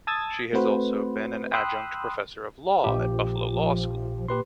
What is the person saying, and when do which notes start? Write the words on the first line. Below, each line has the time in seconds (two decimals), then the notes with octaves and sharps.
She has also been an adjunct professor of law at Buffalo Law School.
0.07 A5 D#6 E6 G#6 A6
0.53 A3 C4 F#4 B4 C5
1.52 G5 B5 C6 D#6 E6 F#6
2.84 A#1 A#2 F3 G4
4.28 A#2 G4 B4 C6